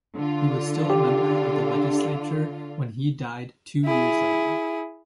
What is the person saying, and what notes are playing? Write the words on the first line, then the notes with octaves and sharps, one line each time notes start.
He was still a member of the legislature when he died two years later.
D3 F4
G4
E4 G#4